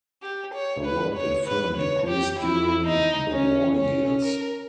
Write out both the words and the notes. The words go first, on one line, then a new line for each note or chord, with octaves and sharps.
Her work in film decreased during the war years.
G4
C#5
B4
C#5
B4
C#5
G4
E4
D#4
C#4
C#4
A#4